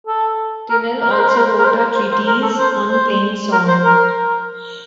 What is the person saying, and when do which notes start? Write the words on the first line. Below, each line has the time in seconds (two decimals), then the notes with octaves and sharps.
Tinel also wrote a treatise on plain-song.
0.07 A4
0.70 A#4
1.01 A#4
1.11 C5
1.20 A#4
1.28 C5
1.37 A#4
1.59 A#4
1.65 C5
1.79 A#4
1.95 C5
2.11 C5
2.27 A#4
2.42 A4
2.58 C5
2.90 C5
3.52 A#4
3.68 C5
3.84 A#4